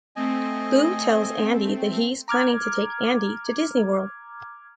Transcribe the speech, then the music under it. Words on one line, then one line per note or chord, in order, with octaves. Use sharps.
Lou tells Andy that he's planning to take Andy to Disney World.
A3 C4 D#5 G#5
A#5 D6 F6 G#6